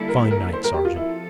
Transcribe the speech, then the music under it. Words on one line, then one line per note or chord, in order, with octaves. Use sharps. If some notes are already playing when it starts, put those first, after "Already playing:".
'Fine night, sergeant.'
Already playing: D3 G3 A#3 E4 A4
A#4
A#4
C5
A#4
G4
F4
F3 C4 E4 F4 A4